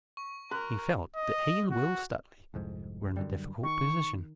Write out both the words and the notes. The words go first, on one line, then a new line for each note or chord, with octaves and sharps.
He felt that he and Will Stuteley were in a difficult position.
C#6
F#4 A#4 F#6
D#5
F#4
C2 F2 G#2
F#2 D3 G3
D#3 C#6